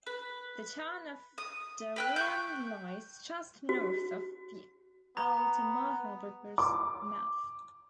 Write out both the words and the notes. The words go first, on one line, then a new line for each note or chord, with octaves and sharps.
The town of Darien lies just north of the Altamaha River's mouth.
B4
D#6
B4 G5 F#6
C#6 F#6 G6
F#4
B3 A#5
D6